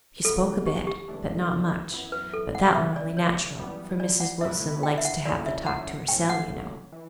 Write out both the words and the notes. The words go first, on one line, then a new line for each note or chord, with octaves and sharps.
She spoke a bit, but not much; but that were only natural, for Mrs. Wilson likes to have the talk to hersel, you know.
C#3 E3 B3 F#4 A4
G4
G4
C#2 C#3 E3 A3 D4
F#2 E3 B3 E4
B4
A4
F#5
C#2 C#3 E3 B3 E4 E5
D5
C#5
F#2 E3 G3 B3
D5
F#5
C#2 B2 A3 E4 B4 E5
G5
E5
F#5
C#3 F#3 C#4 E4 A4 D5
E5
F#5
A1 A2 F#3 A3 C#4 G5
F#5
E3